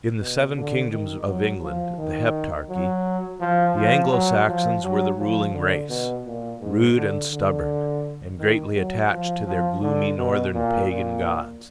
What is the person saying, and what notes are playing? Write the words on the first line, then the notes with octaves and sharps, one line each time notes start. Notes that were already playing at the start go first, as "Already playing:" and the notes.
In the seven kingdoms of England--the Heptarchy--the Anglo-Saxons were the ruling race, rude and stubborn, and greatly attached to their gloomy northern pagan gods.
B2
D3
D#3
F#3
F3
D#3
F#3
F3
F3
F#3
F3
F#3
F3
D3
B2
A#2
G#2
D3
D3
D#3
F#3
F3
F3
D3
B2
A#2
A#2